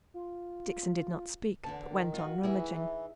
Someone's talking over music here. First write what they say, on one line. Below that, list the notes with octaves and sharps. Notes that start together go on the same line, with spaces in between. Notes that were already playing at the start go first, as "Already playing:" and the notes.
Dixon did not speak, but went on rummaging.
F4
E2 D3 A5
D#3
F4 F#4
E3 D#4 E4 G#4